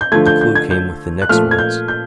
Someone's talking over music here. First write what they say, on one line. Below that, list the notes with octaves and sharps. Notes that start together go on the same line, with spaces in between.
A clue came with the next words.
G6
D3 F3 A3 G#6
G6
G6
G#6
G6
F#6
A#2 F3 A3 F6
G#6
G6
G6